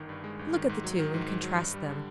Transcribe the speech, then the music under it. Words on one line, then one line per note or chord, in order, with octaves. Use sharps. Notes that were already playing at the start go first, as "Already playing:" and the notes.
Look at the two, and contrast them.
Already playing: G1 D#3
G2
G#3
G1
D#3
G#2
F#3
D#3
G#2
G#2
F#3
G2
G3
D3